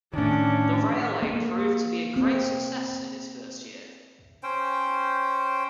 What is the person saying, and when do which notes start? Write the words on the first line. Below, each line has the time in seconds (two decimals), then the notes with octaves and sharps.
The railway proved to be a great success in its first year.
0.14 A2 D#3 C#4 D4
1.23 A#3
2.16 C4
4.43 C#4 C5 G5